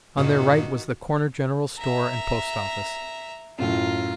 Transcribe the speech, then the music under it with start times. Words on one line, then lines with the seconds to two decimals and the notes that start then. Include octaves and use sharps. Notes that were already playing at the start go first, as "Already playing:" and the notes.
On their right was the corner general store and post office.
0.17 G2 A#2 D#3 A#3 F#4
1.79 E5 A#5
3.58 F#2 A2 F4 A#5